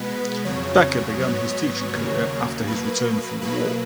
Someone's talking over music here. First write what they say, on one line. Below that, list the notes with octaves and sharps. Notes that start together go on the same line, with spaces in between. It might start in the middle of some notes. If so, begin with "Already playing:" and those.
Becker began his teaching career after his return from the war.
Already playing: B2 G#3 B3 B4
F2 C#3 F#3 C#5
G#2 F#3 B3
D#2 C#3 F#3 A#3
B2 F#3 A#3 B4
B2 F#3 A#3 B4